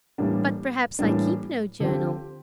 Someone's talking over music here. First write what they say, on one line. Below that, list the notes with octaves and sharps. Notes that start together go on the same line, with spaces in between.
"But, perhaps, I keep no journal."
A2 E3 G3 A#3 D4
A2 E3 G3 A#3 D4
D3 F3 C4 G4